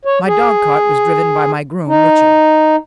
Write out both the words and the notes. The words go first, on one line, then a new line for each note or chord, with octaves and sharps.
My dogcart was driven by my groom, Richard.
C#5
G#4
D#4